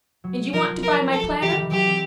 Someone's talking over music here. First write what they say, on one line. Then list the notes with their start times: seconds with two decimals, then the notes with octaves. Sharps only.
And you want to buy my platter.
0.24 F#3
0.53 F3 A#4
0.83 A#4
1.12 A4
1.41 E3 G4
1.52 D#3
1.62 E3
1.71 F#3 G4
1.86 C4